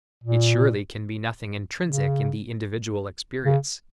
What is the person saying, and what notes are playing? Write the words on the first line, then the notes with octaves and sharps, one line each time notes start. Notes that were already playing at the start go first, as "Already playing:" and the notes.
It surely can be nothing intrinsic in the individual experience.
A#2
C#3
C#3